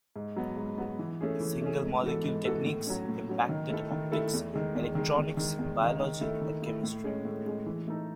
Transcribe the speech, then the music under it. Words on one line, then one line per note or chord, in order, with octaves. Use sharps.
Single-molecule techniques impacted optics, electronics, biology, and chemistry.
G#2
F#3 B3
G#2
F#3 B3
E3
A3 C#4 G#4
E3
A3 C#4 G#4
G#2
E3 B3 F#4 A4
G#2
E3 B3 F#4 A4
A2
F#3 C#4
A2
F#3 C#4
D#3
A3 E4 A4
D#3
A3 E4 A4
E2
D#3 G#3
E2
D#3 G#3
E2
D#3 G#3
E2
D#3 G#3
D#3
A3 E4
D#3
A3 E4
A2
G#3 C#4
A2
G#3 C#4
E3
A3 D#4 A4